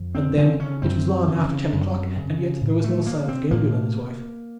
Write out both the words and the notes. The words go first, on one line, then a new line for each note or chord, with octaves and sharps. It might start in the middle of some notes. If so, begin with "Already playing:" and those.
And then it was long after ten o'clock and yet there was no sign of Gabriel and his wife.
Already playing: F2
C4
C#3 C4
C#4
F#2 C4
C#3
F#2
C#3
A2
A3
A#3
C4
A2 A#3